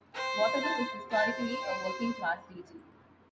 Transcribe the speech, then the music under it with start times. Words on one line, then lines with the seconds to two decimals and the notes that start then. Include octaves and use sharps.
Waterloo is historically a working class region.
0.15 C5 G5
0.63 A5
1.12 C5 A5
1.61 G5